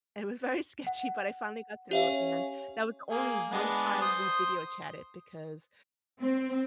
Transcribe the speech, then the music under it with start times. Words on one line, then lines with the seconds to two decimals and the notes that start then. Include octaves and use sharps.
It was very sketchy, but I finally got through, and that was the only one time we video chatted because
0.87 F#5
1.91 C#4 G4 E5 F5
3.11 A#3 G#4
3.51 G#3 B3 D4
4.01 C5 C6 D#6
6.20 C4